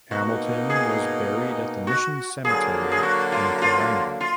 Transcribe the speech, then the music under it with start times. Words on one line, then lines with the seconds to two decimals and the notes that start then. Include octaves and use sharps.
Hamilton was buried at the Mission Cemetery in Tauranga.
0.11 B2 A#3 D#4 F#4
0.70 G#4
1.87 F#4
2.45 D3 F#3 A#3 G#4
2.92 G#4
3.03 F#4
3.32 F4
3.62 F4
4.21 F4